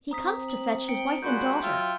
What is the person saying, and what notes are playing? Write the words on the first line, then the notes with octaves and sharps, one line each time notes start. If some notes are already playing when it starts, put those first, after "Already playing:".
"He comes to fetch his wife and daughter."
C4 A#5 D#6 B6
F#7
G5 C#7 D7
A#2 G#3 F#4 B4 C6 G6
F#3 F4 E5 G5